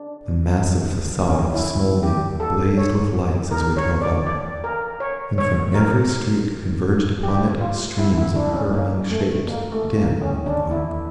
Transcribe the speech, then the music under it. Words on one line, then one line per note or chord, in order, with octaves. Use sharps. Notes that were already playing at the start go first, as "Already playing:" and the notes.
The massive facade of Smolny blazed with lights as we drove up, and from every street converged upon it streams of hurrying shapes dim in the gloom.
Already playing: D4
A#3
C#4
E4
G4
A4
C#5
A#4
C#5
D5
D5
A#4
C#5
C#5
A#4
G4
F4
E4
E4
D4
C#4
A#3
A3
A#3
A3
A#3
C#4
D4
E4